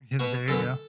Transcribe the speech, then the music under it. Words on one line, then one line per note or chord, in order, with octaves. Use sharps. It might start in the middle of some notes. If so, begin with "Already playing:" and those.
Yeah, there you go.
B2 B3 F#4
F#2 D3 B3 A4